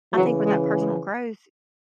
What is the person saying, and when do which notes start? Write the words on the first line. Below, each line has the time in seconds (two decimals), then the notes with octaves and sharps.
I think with that personal growth,
0.12 C#3 E3 F#3
0.45 G#3
0.78 G#3